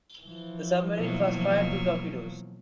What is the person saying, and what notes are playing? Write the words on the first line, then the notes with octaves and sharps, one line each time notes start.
The submarine first fired two torpedoes.
E3 F3
B2 F#3 A#3